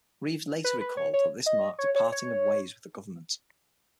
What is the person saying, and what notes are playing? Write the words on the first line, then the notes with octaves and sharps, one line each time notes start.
Reeves later recalled that this marked a "parting of ways" with the Government.
B4
B4
C#5
C#5
D#5
C#5
C#5
C#5